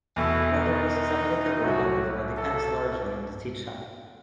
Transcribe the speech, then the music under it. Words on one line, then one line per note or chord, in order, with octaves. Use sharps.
Whether this is applicable, however, depends largely on the teacher.
E2 B2 A3 E4
D#4
C2 C3 F#3 F#4
A4